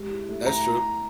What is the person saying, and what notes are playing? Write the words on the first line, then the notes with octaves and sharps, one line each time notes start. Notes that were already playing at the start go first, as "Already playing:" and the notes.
That's true.
Already playing: G#3 G4
E4
A3
E4 A#5